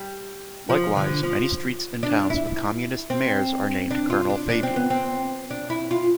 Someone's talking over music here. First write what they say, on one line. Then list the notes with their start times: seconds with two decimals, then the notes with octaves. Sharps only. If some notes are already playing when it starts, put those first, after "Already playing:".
Likewise, many streets in towns with communist mayors are named "Colonel Fabien".
Already playing: G3
0.70 F3
0.96 D3
1.23 F3
2.03 D4
2.30 E4
3.10 C4
3.91 D4
4.10 F4
4.30 D4
4.50 D4
4.63 C4
4.76 B3
4.90 C4
5.51 D4
5.70 E4
5.91 F4